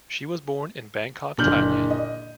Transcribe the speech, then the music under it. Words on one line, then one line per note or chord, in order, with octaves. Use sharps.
She was born in Bangkok, Thailand.
F#1 A#2 D3 F6 G6 F#7
D#5